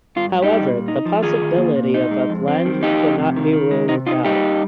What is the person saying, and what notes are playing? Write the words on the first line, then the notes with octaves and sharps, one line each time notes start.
However, the possibility of a blend could not be ruled out.
G2 F4
G2
D#4 G4
G3
A#2
D#4
F3
D#3 F4 G#4
D#3
A#3
A#2
D#4
G#3
F2
C4
D#3
F2 D#4 G4
F2
C3
D#3
D#3
G#3
C3 D#4
D#4 F4
G3 D#4 G4
G2